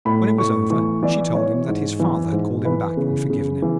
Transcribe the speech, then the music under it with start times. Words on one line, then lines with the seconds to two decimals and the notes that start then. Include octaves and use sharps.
When it was over, she told him that his father had called him back and forgiven him.
0.05 A2 B5
0.38 A2 C#6
0.70 E3 C#6
1.03 E3 D5
1.35 E3 C#5
1.68 G#2
2.00 E3
2.32 G#2
2.65 E3 B4
2.97 C#3
3.30 C#3
3.62 E3